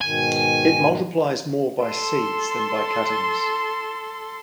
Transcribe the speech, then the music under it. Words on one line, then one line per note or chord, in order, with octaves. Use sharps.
It multiplies more by seeds than by cuttings.
G#2 B2 D#3 G#5
A4 C6